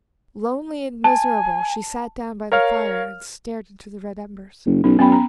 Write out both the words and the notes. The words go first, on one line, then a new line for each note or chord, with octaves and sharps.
Lonely and miserable she sat down by the fire and stared into the red embers.
G#5 A5
A#4 C#5 F5 F6
F#1
B1 C#4
F#2 B3 G5 B5
A#5